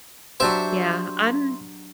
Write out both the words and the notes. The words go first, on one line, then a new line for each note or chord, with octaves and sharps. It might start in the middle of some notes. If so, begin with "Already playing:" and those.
Yeah, I'm
F#3 D4 G4 C5 E5